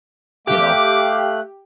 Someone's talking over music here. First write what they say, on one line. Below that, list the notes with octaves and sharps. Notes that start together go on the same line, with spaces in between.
you know,
A3 G4 F5 D6 F#6